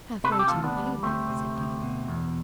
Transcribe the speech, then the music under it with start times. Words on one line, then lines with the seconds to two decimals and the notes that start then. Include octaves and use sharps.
'Half-way to Newhaven,'said Dan.
0.24 C3 B4
0.32 A4
0.39 G4
0.47 D2 F4 A4
0.64 B3 D4
0.77 G3
1.03 D2 A3 C4
1.29 C3
1.56 D2
1.82 B2
2.08 E2